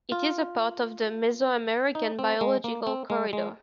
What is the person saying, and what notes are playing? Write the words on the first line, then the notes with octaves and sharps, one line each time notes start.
It is a part of the Mesoamerican Biological Corridor.
F4
D#4
C4
G#3
A#3
C4
G#3
G#3